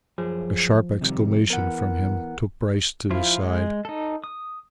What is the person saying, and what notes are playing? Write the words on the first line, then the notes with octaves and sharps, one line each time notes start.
A sharp exclamation from him took Bryce to his side.
F#2 F3 G#4
C3 D#3 G3
E3 B3 A#4 F#5
F3 E4 F4
G#3
D#4 A4
D#6